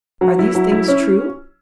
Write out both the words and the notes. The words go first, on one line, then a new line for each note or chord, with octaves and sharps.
"Are these things true?"
F#3
E4
F#3
E4
C#4